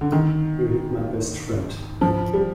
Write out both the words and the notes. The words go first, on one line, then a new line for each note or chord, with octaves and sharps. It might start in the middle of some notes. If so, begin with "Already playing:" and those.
You hit my best friend.
D3
D#3
F3
G3